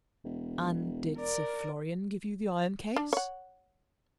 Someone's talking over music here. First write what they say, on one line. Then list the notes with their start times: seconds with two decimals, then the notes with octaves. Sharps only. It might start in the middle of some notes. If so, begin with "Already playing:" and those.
"And did Sir Florian give you the iron case?"
0.25 E1
1.17 A#4 D5
2.96 D4
3.13 C#5 F#5